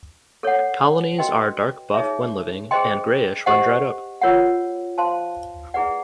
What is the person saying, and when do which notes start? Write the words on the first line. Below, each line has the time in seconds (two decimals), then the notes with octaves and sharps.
Colonies are dark buff when living and greyish when dried up.
0.43 A4 C#5 F#5
1.19 F#4 B4 D#5 G5
1.94 D#4 G#4 C#5 E5
2.71 G#4 C5 D#5 G5 C6
3.46 G4 C5 D#5 F#5
4.21 F4 A#4 C#5 F#5
4.98 C5 F5 A5 C6
5.74 E4 G#4 B4 D5 F#5